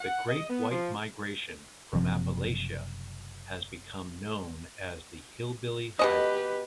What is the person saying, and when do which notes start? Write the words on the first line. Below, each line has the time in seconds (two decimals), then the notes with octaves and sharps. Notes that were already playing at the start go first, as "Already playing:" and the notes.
The great white migration from Appalachia has become known as the Hillbilly Highway.
0.01 F#5
0.29 D#5
0.50 B3
0.71 F3
1.93 F#1 C3 F3
5.99 B2 C#4 G4 B4 D#5